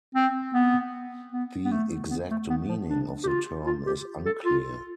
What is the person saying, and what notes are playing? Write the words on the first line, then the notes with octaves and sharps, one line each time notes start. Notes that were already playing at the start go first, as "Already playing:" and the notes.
The exact meaning of the term is unclear.
C4
B3
B3
B3
A3
B3
A3
B3
F3
D4
G4
F4
F4
G4
A4
F4